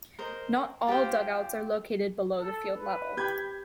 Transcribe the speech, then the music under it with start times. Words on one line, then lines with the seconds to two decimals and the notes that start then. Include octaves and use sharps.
Not all dugouts are located below the field level.
0.19 A#4 C5 D#5
0.87 F4 G4 B4 C5
2.38 A4
2.75 B4
3.17 G4 B5 G6 G#6